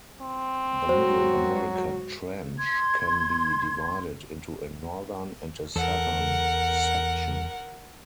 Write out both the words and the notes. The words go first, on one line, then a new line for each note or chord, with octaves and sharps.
The Middle America Trench can be divided into a northern and a southern section.
C4
G#2 F#3 F#4 C5
C6 G#6
E2 A4 A#4 F#5